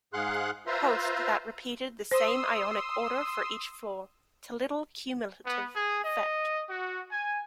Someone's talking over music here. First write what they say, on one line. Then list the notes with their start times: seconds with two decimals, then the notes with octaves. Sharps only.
Post that repeated the same Ionic order for each floor, to little cumulative effect.
0.13 G#2 G#4 F5 F#5 C6 F#6
0.67 F4 B4 C5 E5 A#5 C6
2.11 C5 C6 D#6 E6
5.45 B3
5.75 G#4
6.05 D#5
6.68 F#4
7.11 G#5